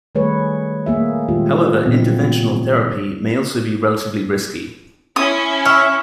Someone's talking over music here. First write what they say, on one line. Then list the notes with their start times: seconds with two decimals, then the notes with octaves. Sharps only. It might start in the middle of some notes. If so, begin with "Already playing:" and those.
However, interventional therapy may also be relatively risky.
0.15 D#3 G3 A3 G#4 B4 C#5
0.86 A3 A#3 G#4 E5
1.29 A#2 D#3 G3 G#3 F4 G4
1.83 A#2 C#3 E3 F#3 B3 C4
5.16 C#4 E4 D#6
5.65 E5 C#6 F6